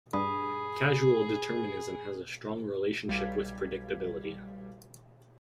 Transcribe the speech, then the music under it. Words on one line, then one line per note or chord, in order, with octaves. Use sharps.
Causal determinism has a strong relationship with predictability.
G2 G#4 B5 D#6
B1 G3 F5 G#6 B6